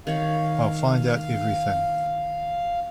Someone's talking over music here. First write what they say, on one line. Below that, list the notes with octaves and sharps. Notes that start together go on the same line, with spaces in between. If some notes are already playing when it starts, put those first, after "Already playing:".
I'll find out everything.
D#3 C#5 F5